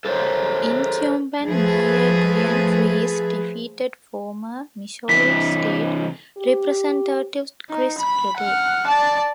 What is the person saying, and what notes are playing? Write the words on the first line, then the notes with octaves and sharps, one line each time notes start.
Incumbent Mayor Brian Treece defeated former Missouri State Representative Chris Kelley.
A4 A#4 C5 C#5
F3 A3 G#4 B4
C3 E3 B6
G4
D#4
B5
F#5 F6
D5 A5